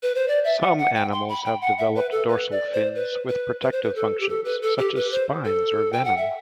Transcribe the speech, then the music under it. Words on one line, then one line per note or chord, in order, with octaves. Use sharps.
Some animals have developed dorsal fins with protective functions, such as spines or venom.
B4
C5
D5
E5
F#5
F#5
G5
C6
B5
G5
F#5
E5
B4
A4
B4
D5
C5
B4
B4
B4
C5
B4
A4
G4
A4
B4
A4
G4
B4
C5
A4
G5
F#5
E5